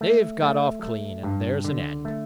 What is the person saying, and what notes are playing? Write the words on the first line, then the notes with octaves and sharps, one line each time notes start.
They've got off clean, and there's an end.
A3
A3
A3
G2
D3
A3